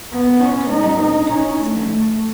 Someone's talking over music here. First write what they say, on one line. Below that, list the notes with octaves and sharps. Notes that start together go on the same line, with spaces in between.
The captain had only to pick his men.
B3
C#4
D#4
D#4
C#4
A3
A3